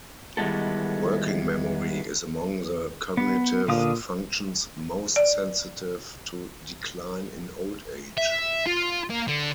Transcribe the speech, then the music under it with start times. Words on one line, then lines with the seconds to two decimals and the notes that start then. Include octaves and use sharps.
Working memory is among the cognitive functions most sensitive to decline in old age.
0.37 D#3 E3 G3 G#3 B3 A4
3.17 B3
3.68 A#2 D3 F5 D#6
5.16 D5
8.18 E5
8.67 F4
9.10 A#3
9.28 D3